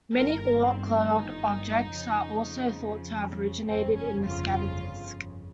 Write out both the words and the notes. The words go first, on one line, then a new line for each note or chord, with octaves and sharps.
Many Oort cloud objects are also thought to have originated in the scattered disc.
G1 G2 D#3 A#4
C4
D#4
F2 C#3 F3
G1 F2 C#3 F3 C4
C#4
F4